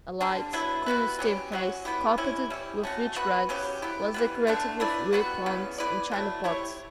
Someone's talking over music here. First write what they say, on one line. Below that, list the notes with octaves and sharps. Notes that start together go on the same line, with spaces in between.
A light, cool staircase, carpeted with rich rugs, was decorated with rare plants in china pots.
D3 G3 D4
F#3 B3 E4
G3 B3 F#4 B4
F#3 C#4 G4
F#3 C#4 F#4
B3 E4 G4
E3 G3 C#4 E4
G3 C#4 G4
A3 C#4 F#4
B3 F#4 B4
C#3 F#3 C#4 G4
B3 E4 G4
E3 G3 B3
D3 A3 D4 A4
A3 E4 B4 D5
G3 B3 F#4
C#3 E3 B3
B3 E4 B4 D5
F#3 A3 E4
A3 E4 G4 C#5